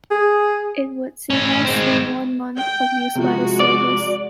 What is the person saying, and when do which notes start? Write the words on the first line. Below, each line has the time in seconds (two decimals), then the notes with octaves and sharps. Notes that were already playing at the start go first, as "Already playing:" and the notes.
It would see less than one month of use by this service.
0.11 G#4
1.30 A2 C#4
1.65 G#3 C4
2.56 G5
3.15 C3 F3 G#3 F#4
3.60 D5